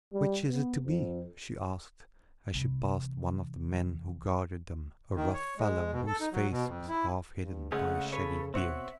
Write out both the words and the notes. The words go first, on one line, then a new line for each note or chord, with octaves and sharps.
"Which is it to be?" she asked, as she passed one of the men who guarded them, a rough fellow, whose face was half hidden by a shaggy beard.
G3
B3
F2
C2 E3
D#3
C#5
G#3
B2
A4
D#4
F#3
B2
F2
E4
G2
C#3 G#3 A3 C#4 F#5
A4 B4 C#5
B2 C4 C#5 E5 F#5